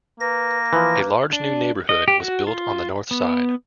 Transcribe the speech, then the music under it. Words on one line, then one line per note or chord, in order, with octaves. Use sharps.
A large new neighbourhood was built on the north side.
A#3 B4 A#6
E3 F3 B4
D4
D#5
G4
F#4
F4
B3